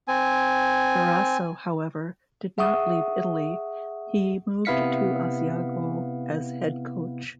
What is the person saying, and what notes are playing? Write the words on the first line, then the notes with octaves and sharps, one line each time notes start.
Barrasso, however, did not leave Italy: he moved to Asiago as head coach.
C4 G#5
G#4 E5 F#5 C#6 D#6
C3 B3 E4 F5 B6 C#7